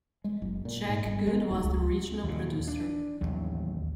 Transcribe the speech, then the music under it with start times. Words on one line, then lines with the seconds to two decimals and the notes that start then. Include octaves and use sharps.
Jack Good was the original producer.
0.24 G#3
0.42 F#1
0.65 A#2
0.88 G#2
1.06 G1
1.27 G#3
1.51 D#1
1.64 C#2
2.24 D#2 A#2
2.68 D4
3.21 A1 D#2 F#3